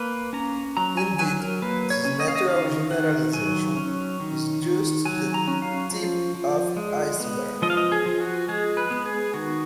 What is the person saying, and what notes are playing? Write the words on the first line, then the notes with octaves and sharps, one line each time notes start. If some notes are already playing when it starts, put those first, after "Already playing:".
Indeed, this natural generalization is just the tip of iceberg.
Already playing: A#3 B4
C#4 A#5
F#3 A#5
G#5
F#3 G#5
A#4
A#3 B4
C#5
C#4
D#5
F5
D#5
D#3 F5
D#3 F#5
F#3 G#5
C#4
D#3
D#3
F#3 G#5
A#5
C#4
F5
F3
F3
G#3
B3
F3 D#5
F5
D#5
G#4
F3
F#4
G#3 G#4
B4
B3
G#4
D#3 F#4